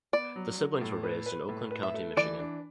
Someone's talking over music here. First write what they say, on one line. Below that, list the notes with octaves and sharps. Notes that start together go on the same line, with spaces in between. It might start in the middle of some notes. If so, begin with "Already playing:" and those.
The siblings were raised in Oakland County, Michigan.
B3 D5
F#3
F#3
A2
B4
B4
A2
B4
E5
A3
E3 D5
D4